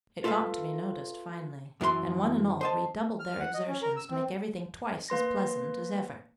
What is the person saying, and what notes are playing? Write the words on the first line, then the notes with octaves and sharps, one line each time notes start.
It got to be noticed finally; and one and all redoubled their exertions to make everything twice as pleasant as ever!
F4 A4 B4 E5 F5
F#2 E3 A4 C6
C5 D#5 A5
F6
F#5
D#5
C#4
A#4
E6
C4
A#3 B4 C6 A#6